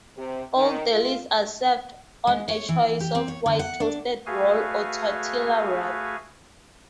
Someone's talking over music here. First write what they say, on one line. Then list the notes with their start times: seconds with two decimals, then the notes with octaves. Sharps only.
All delis are served on a choice of white toasted roll or tortilla wrap.
0.18 C3
0.56 D#3
0.93 F4
2.27 G#3
2.48 C#5
2.69 E3
3.00 G4
3.15 C4
3.28 C#5
3.46 D3
3.59 F#5
3.80 D4
4.26 A3 F#4 G#4 B4 F5 G#5